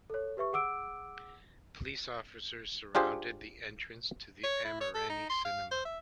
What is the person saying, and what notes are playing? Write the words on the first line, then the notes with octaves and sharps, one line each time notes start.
Police officers surrounded the entrance to the Amirani Cinema.
A4 C#5
G4 B4 E5 C#6
G#4 F#5 D6 E6 D7
D4 F4 G4 G#4 C5
C#5
E4
C#5
A4
D#4
C6
F5
C5
E5